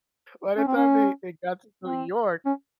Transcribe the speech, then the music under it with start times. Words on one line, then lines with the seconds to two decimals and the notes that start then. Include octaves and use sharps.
By the time they they got to New York
0.57 C#4
0.67 C4
0.76 C#4
1.84 C4
2.46 C#4